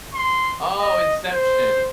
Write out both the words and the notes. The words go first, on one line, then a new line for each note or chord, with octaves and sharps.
Oh, Inception.
C6
D#5
C5